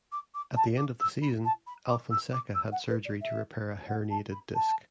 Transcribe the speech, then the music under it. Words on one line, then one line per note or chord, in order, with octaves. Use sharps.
At the end of the season, Alfonseca had surgery to repair a herniated disc.
D6
D6
A5
D6
E6
B5
A5
B5
D6
E6
D6
E6
F#5
B4
D5
E5
F#5
A5
B5
A5